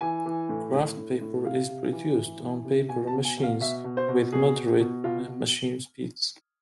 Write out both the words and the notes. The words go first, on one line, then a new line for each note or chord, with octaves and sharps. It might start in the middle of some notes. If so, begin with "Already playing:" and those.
Kraft paper is produced on paper machines with moderate machine speeds.
E3 G#5
E3
A2
A2
A2
A2
C3 F5
C3
E3
E3
E3
C3
B2 G#5
A5
B2
G#5
B2
F5
B2 E5
B2
C5
B2
B2 G#4
B2
B2
B2 F4
B2